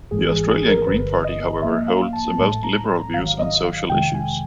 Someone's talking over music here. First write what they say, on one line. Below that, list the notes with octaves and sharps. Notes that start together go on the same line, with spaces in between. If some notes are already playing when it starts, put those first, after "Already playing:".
The Austrian Green Party, however, holds the most liberal views on social issues.
G#1 G#2 E3 G#3 G#4
G#4
G#4
A#4
G1 G2 D3 B4
D#5
G#2 F3 A#3 E5
F5
A5
A1 A2 F#3 A3 A5
A#5
A#5
G#1 G#2 D#3 F#3 F5
D#5
F5
F2 C3 D#3 G#3 G5
G#5